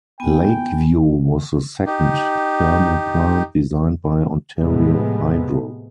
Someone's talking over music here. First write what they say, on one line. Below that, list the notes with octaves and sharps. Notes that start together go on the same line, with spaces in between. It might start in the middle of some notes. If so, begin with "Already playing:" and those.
Lakeview was the second thermal plant designed by Ontario Hydro.
B3 G5 G#5
D#4 G4
A2 C3 F3 G#3 A3 B3